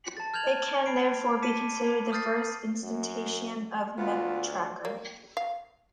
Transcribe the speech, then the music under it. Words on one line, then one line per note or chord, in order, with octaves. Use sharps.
It can, therefore, be considered the first instantiation of a memetracker.
A5 A6
F6 G6 G#6 F7 F#7
B5 C7 D7
A5 D6 B6 C#7 D#7
D#6 F6 G6 A6 C7
F#2
D2 B3 F4
A#3
F5